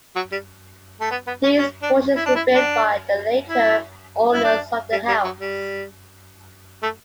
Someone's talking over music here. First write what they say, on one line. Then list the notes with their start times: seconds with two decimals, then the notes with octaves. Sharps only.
These portions were built by the later owners of the house.
0.15 F#3
0.32 G3
1.01 A3
1.11 B3
1.27 B3
1.43 C#4
1.58 C#4
1.82 D4
2.16 E4
2.26 D4
2.36 E4
2.54 D4
3.49 E4
4.33 E4
4.44 D4
4.92 G3
5.08 G3
5.24 F#3
5.40 G3
6.83 A3